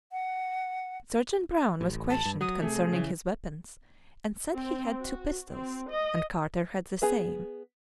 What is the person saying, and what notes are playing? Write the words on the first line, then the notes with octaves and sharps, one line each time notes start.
Sergeant Brown was questioned concerning his weapons, and said he had two pistols and Carter had the same.
F#5
A1
A5
G2
F#3 D#6
C3 A3 G#4
C#3 E3
C4
F#4
C4
D#5
B3 G#4